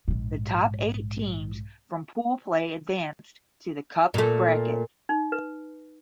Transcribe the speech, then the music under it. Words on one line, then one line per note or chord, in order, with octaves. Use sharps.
The top eight teams from pool play advanced to the Cup bracket.
A#1 G#2
A#2 A3
D#4
B4